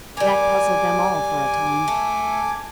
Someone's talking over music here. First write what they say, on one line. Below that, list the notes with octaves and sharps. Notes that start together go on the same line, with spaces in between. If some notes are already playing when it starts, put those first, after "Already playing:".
That puzzled them all for a time.
G3 A#4 G#5 D6
A3